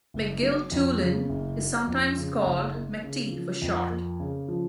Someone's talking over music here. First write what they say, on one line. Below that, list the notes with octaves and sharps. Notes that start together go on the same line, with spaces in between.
McGill-Toolen is sometimes called "McT", for short.
F#1
F#3
F2
C#3
F#1
F#3
F2
C#3
F#1
A#3
C#3
F3
F2
A#3
C#3
F3